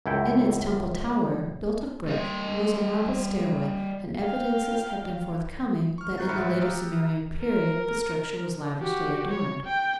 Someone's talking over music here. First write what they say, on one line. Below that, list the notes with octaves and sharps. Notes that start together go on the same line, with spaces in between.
In its temple tower, built of brick, was a marble stairway, and evidences have been forthcoming that in the later Sumerian period the structure was lavishly adorned.
C#2 F#2 E4 F#5 G5
G3 D#5
F5 G5
C#6 F6
A#5 C#6 F#6 G6 A6
A1 G#2 E5 B5 F6 C#7
G4 F5 A#5 D#6 E6
A#4
F#4 G4
C#5
G5